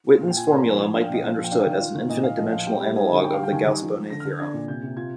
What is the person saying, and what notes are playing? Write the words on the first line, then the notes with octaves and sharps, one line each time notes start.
Witten's formula might be understood as an infinite-dimensional analogue of the Gauss-Bonnet theorem.
F4
A#2
G5
F4 G#5
A#2 C6
A#5
F3 G#5
F3
D4 F5
G5
A#2 D#5
F3 F5
F3
G5
D4 F5
G5
D#3 F5
F4
D#3
A#2 D#5
A#2 F5
F3 D#5
F3 F5
G3 G5
G3
D#4 G#5
D3
G3 G5
F5
G3
G5
D#3 G#5
D#3
F3
F3
D3 A#6
F6
D3
D4 G#6
A#2
C3 G6
C3
F4 G#6